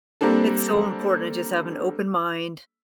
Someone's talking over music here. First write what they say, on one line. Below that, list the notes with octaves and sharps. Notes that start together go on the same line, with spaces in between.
it's so important to just have an open mind,
G3 A#3 C4 D4 A4